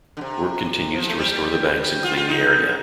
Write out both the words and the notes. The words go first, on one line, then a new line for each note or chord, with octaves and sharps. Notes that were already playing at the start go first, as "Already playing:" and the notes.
Work continues to restore the banks and clean the area.
D3
C3
F3
A3
G3
G3
F4
F4
D#4